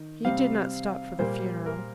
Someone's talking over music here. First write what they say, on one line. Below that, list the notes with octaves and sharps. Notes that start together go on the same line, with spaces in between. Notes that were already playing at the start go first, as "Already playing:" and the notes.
He did not stop for the funeral.
Already playing: D#3
C3 G3 C4 F5
A#2 G3 A#3 C5
A#4